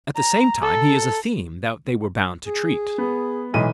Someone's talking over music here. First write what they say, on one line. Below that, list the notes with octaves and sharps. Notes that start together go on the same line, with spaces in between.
At the same time he is a theme that they were bound to treat.
A#5
A4
G#4
B3
B1 E3 G#3 D#7